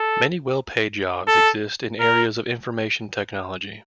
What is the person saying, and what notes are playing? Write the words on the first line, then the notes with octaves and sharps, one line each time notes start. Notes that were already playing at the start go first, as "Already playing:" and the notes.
Many well-paid jobs exist in areas of Information technology.
Already playing: A4
A4
A#4